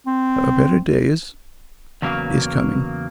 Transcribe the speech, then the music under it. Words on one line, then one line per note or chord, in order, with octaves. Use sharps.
A better day is--is coming.
C4
E2 C#3 F#3 A#3